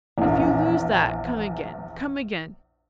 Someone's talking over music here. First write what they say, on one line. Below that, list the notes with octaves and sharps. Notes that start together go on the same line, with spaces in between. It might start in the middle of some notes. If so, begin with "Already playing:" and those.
"And if you lose that, come again, come again."
A#1 E2